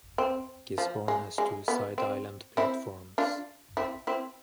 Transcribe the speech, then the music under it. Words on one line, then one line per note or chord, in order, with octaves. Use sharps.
Gisborne has two side island platforms.
C4
F3
G#3
G#3
B3
C4
C4 E4
D4 F4
C4 E4
C4 E4